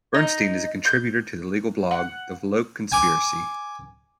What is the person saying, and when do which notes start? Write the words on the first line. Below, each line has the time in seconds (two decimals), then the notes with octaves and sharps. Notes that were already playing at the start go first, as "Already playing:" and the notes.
Bernstein is a contributor to the legal blog, The Volokh Conspiracy.
0.14 D#4
0.85 G6
1.91 F#5
2.92 G#5 D6